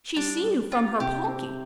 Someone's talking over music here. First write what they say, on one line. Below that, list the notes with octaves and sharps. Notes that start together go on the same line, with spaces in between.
She see you from her palkee.
G3 D4
G3
C4 F4
C3 G4
C4